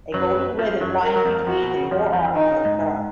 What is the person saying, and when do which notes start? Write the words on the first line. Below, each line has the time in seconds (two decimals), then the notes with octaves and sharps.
A golden ribbon winds between the four arms of the cross.
0.14 F#2 F#3 B4
0.59 F2 F3
0.80 F#2 F#3
1.03 A#4
1.16 F#3
1.25 F2 F3
1.47 F2 F3 F#4
1.62 B2
1.76 C#3
1.91 F2 F3
2.13 F2 F3
2.35 D#3 D#4
2.50 C#3
2.65 G#2
2.80 G#2